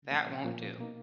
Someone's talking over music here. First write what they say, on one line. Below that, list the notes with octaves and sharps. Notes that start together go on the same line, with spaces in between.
That won't do.
A#2 F3 A#3 C#4
A#2 F3 A#3 C#4
B2 A#3 D#4